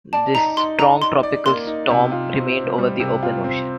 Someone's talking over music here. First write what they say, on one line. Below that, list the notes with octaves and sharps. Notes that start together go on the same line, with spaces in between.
This strong tropical storm remained over the open ocean.
D5 A5
D#4 A#5
D#4 C6
D5 A#5
D#4 C6
D5
A#3 C6
D#4
C3
F4
C4
C4
G3
C3
F4
C4